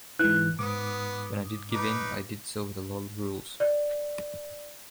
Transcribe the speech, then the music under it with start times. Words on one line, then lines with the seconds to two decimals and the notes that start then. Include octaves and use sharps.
When I did give in, I did so with a lot of rules.
0.19 G#2 E3 F#6
0.59 G#2 B3 D6 D#6
1.72 D#4 B4 D6
3.60 D5